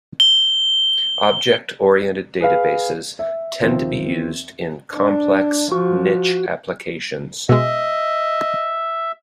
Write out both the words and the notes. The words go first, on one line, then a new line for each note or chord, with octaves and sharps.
Object-oriented databases tend to be used in complex, niche applications.
G7
G#4 B4 F5
E5
D#2 F3 C4
D4
F3 F#4
B2 G#3 D#5 E5